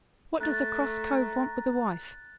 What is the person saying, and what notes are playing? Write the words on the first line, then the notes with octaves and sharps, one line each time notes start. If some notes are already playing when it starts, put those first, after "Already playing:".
What does a cross cove want with a wife?
A3 A#5 F#6 A6